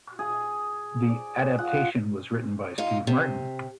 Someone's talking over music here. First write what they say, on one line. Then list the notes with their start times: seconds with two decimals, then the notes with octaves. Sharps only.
The adaptation was written by Steve Martin.
0.19 G#4
1.09 D5
1.58 F4 F#5
2.78 D#4 F4
3.07 C3